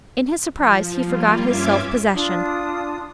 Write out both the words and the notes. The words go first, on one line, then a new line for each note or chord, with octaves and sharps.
In his surprise he forgot his self-possession.
F3
G3 A#3 F4
G2 C#4 F4 E5 D6 G#6
D4 F4 D#6